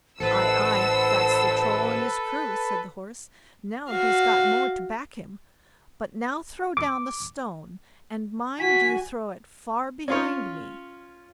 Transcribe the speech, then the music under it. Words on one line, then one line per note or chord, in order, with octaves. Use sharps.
'Aye, aye, that's the Troll and his crew', said the Horse; 'now he's got more to back him; but now throw down the stone, and mind you throw it far behind me.'
A1 A4 B4 C5 D#5 F#5 A5 E6
F#4 F5
D6
F#4 G#5 B6
C#4 F4 C#5